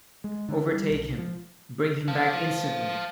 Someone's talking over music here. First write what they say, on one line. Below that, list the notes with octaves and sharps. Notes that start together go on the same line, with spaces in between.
Overtake him; bring him back instantly!
G#3
D3
G3
B1
F3
F5 A5